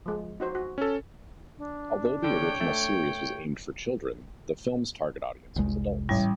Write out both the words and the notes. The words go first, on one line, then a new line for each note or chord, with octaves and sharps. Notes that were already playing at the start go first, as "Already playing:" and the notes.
Although the original series was aimed for children, the film's target audience was adults.
F3 G#3
D#4 F#4 C5
F#4
C#4 A4
D4
D3 C#5 G5
A3
F1 C2 G#3
A1 G3